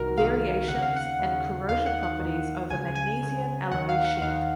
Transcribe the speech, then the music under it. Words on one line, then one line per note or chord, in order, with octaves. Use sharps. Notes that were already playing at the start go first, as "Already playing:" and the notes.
Variations in corrosion properties over magnesium alloy sheet.
Already playing: C2 C3 D#3 F#4 A#4
C2 C3 D#3 F5
D#2 C#3 F#5
F5
F#5
D#2 C#3
D#2 D#3 F5
F#5
F#5
D#2 D#3
C#2 C#3 G#5
G#5
C#2 C#3
D#2 D#3 F#5
F5
F#5
D#2 D#3 F5